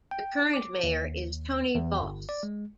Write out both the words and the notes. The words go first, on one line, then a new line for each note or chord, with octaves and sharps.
The current Mayor is Tony Vauss.
G5
D6
D#2
E2
G1
D5
G#3